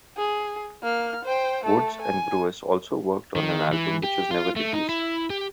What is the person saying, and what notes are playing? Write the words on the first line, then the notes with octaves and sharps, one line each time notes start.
Woods and Brewis also worked on an album which was never released.
G#4
A#3 F6
C5 G5
A3 A4
G#5
D#3
E3
G4
F4
A3
D#4
E4
G4